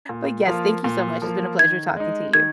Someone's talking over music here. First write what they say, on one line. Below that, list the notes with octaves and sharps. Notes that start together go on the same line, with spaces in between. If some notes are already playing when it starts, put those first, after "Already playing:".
but, yes, thank you so much. It's been a pleasure talking to you.
A#2
F3 A#3 F4
A#2
F3 A#3 F4
D#3 G#6
G#3 D#4
D#3 G#6